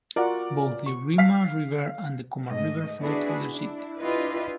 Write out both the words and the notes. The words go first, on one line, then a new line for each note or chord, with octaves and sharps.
Both the Iruma River and the Koma River flow through the city.
F4 F#4 A#4 D5 F#5
C#6
F5 B6
G#2 A3 D#5
B3 D4 E4 F#4 G#4 B4
D4 E4
D4 E4 F4 G4 B4 D#5